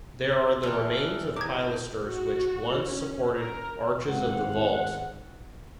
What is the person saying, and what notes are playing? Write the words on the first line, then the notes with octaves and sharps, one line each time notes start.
There are the remains of pilasters which once supported arches of the vault.
E3 G3 G4 A4 F6
E2 D4 G4 D#5 A#5 D6 G#6
F#4
C#4
A#4
G#1 G#2 B3 C4 F5 F#5